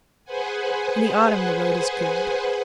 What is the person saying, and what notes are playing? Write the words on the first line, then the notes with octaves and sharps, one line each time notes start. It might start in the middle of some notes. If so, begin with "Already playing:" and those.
In the autumn the road is good.
G#4 B4 C5 F#5 G#5